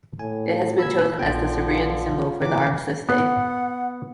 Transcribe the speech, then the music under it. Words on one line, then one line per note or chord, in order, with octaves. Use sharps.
It has been chosen as the Serbian symbol for the Armistice Day.
A2 G#5
A#2 B5 E6 G#6
A#1 D3 F3 B3 F4 G5
E3 A#4 F#5 D6
B3 F#5